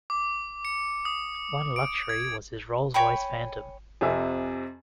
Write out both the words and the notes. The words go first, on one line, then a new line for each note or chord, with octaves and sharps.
One luxury was his Rolls-Royce Phantom.
D6
C#7
D#6
D7
G#6
C#5 G5 G#5 B5
F2 C3 E5 G#5